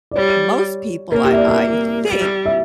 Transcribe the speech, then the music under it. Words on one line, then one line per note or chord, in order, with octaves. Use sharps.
most people I I think
D5
G3 C#5
A#3 A#4
G4
E5
D5
E5
G3
E5